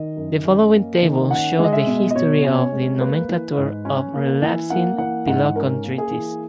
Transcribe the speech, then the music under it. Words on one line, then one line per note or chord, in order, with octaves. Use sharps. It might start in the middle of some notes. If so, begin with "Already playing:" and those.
The following table shows the history of the nomenclature of Relapsing polychondritis.
Already playing: D#3 D#5
F#2
C#4
A#3
D#3
C#4 F#5
G#3
D#5
E5
B2
D#5
B2 C#5
C#4
C#5
G#3
A#3 B4
E3
G#2
C#4
A#3
E3
A#3 F#5
E3 F#5
G#2 F#5
C#4 A#4
A#3
G#4
E3